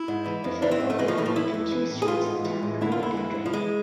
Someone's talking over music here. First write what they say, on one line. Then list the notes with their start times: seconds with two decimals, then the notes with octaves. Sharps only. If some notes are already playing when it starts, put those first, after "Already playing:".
The football ground and two streets in the town are named after him.
Already playing: E4
0.08 G#2
0.26 E3
0.44 F2
0.62 E3 D4
0.71 C4
0.80 G#2
0.90 A3
0.98 E3 G#3
1.08 F3
1.18 A2 E3
1.26 F3
1.36 E3 E4
1.54 F2
1.71 E3
1.90 A2
2.02 G#4
2.08 E3 F4
2.26 G#2
2.44 E3
2.62 A2
2.81 D3 E4
2.92 F4
2.99 F2 E4
3.17 E3
3.35 G#2
3.46 F3
3.53 E3 G#3